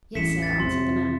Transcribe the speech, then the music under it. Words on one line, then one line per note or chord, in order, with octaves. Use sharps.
"Yes, sir," answered the man.
A1 E2 B6 C#7 E7
A6 B6
F2 C3 C6